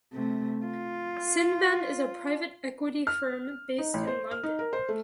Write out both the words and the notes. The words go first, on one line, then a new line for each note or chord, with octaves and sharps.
Cinven is a private equity firm based in London.
C3 A3
F4
F6
D#4
A1
C5
F6
D#4
A#4
C5
A3